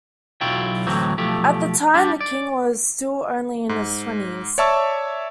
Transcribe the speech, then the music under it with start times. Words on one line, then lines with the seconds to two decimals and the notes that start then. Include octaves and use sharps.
At the time, the king was still only in his twenties.
0.41 B1 F#3 E4 F4 G5
0.87 D2 A2 E3 F#3 C4
1.18 B1 F3 A3 G4
1.94 G3 D4
2.21 D5
3.69 G#2
4.58 C#5 D5 E5 A5 C#6 E6